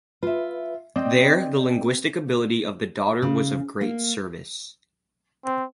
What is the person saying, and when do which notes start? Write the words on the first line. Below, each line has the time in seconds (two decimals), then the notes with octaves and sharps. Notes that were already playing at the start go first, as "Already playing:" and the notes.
There the linguistic ability of the daughter was of great service.
0.23 F4 B4 E5
0.96 C4 D5 D#5 G5
3.22 C#3
3.81 A#3
5.45 C4